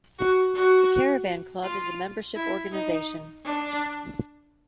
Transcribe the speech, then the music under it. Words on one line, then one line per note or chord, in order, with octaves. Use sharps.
The Caravan Club is a membership organisation.
F#4
F#4
F4
E4
D#4
D4